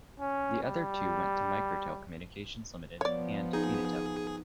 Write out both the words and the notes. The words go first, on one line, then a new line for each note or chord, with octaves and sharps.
The other two went to Microtel Communications Limited, and Unitel.
C#4
G3
F3 B3 C#5 D5
D#4 G#4